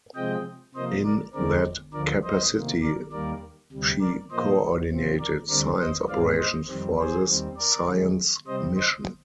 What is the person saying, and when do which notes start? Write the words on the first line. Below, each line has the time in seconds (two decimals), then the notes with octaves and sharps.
In that capacity she coordinated science operations for this science mission.
0.15 C3 F3 G#3 C4 D#5 G5
0.74 C3 F3 A#3 C5 D#5
1.05 A#4 D5
1.34 D2 D3 G#3 C4 A#4 D5
1.93 D2 D3 F3 A#4 D5
2.24 C5 D#5
2.53 C3 D#3 A#3
2.83 A#4 D5
3.12 D#2 D#3 G3 A#3 A#4 D5
3.72 D2 C3 G3
4.01 A#4 D5
4.31 A#2 F3 A#3 C5 D#5
4.90 C3 F3 C4
5.20 A#4 D5
5.49 D2 D3 G3 C4 A#4 D5
5.79 C5 D#5
6.08 G#2 D#3 G#3 C4 D5 F5
6.39 C5 D#5
6.68 F2 D#3 G3 C4
6.99 G#4 C5
7.27 D#2 D#3 G3 C4
7.57 A#4 D5
7.88 F2 D#3 G#3
8.47 C3 G3 C4 C5 D#5
8.76 C5 D#5